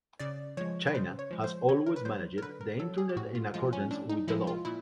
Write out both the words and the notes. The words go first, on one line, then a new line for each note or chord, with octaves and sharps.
China has always managed the Internet in accordance with the law.
C#3 D5
F3 G#3 C#5
B4
C#3 C5
C#5
F3 G#3
C5
D3 C#5
A#4
B4
F#3 C5
A#4
D3 B4
A#4
F#3 A4
G#4
G4
A2 F#4
F4
F3 G#3 F4
C#4
A2 D4
D#4
F3 G#3 E4
F4
A#2 E4